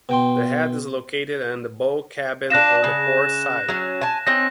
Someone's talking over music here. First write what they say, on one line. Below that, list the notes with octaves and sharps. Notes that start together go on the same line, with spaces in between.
The head is located in the bow cabin on the port side.
B2 G5 C6
D4 F4 F#6 A#6 E7
C#3
F#3 C#4
G#5 A5
C4 C#4 D#4 A#6